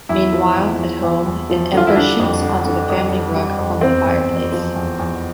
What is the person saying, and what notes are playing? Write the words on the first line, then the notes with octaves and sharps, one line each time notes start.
Meanwhile, at home, an ember shoots onto the family rug from the fireplace.
E2 E4
F3
E2
E2
E2
E2
F3
D3 F4
E4
G3 D4
F2
D3
D3
F2
G3
G3
F2
E2 C4
E2
E2
F3
E2
E2